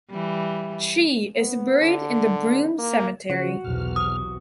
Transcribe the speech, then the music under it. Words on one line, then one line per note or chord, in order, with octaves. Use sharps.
She is buried in the Broome cemetery.
E3 G3
B3
D3
A#3
C#3 F3 F#4
B1 E2 C3 F6
D#6